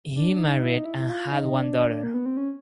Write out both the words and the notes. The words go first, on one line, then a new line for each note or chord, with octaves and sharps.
He married and had one daughter.
D4
D#4
E4
D#4
E4
E4
F4
D#4
D4
A#3
B3
C4
C#4